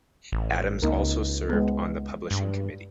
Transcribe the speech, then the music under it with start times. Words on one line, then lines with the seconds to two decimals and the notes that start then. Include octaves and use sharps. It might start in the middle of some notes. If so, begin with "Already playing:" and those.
Adams also served on the Publishing Committee.
0.32 A1
0.82 C#2 A#3 D#4 A#4
1.49 G#3 B3
2.31 G2